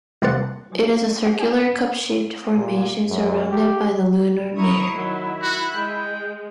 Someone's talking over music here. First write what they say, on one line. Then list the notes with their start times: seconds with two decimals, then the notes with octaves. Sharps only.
It is a circular, cup-shaped formation surrounded by the lunar mare.
0.22 C2 A#3 C5 D5 F#5
2.55 A#2
3.09 F#2
3.49 G4
4.57 E4 A#5 C#6 D#6
4.92 D#3 F#3
5.42 F#4 F#6
5.75 G#3 G5